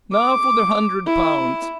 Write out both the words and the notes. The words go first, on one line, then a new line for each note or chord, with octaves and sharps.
Now for the hundred pounds.
D6
E4